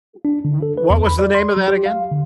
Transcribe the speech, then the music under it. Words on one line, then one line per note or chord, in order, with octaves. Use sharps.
W w what was the name of that again?
D4
D3
A4
B4
E2
B5
D5
C6
F#3
G4
F5
D3